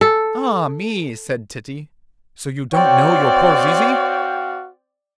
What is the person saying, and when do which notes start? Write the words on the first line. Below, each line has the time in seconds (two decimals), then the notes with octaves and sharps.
'Ah me!' said Titty, 'so you don't know your poor Zizi?
0.01 A4
2.73 C4 F#4 C#5 D5 F5 G5